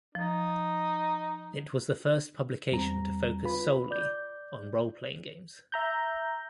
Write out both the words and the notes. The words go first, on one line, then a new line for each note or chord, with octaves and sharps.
It was the first publication to focus solely on role-playing games.
F3 D#4
E2 G3 C4 A#5
F4 B4 B5
D5 G6
E5 A#5 G6